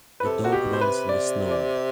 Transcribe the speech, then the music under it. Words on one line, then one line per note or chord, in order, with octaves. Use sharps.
A dog runs in the snow.
B4
C3 A4
F#4
B2 G4
C5
C3 B4
D5
D5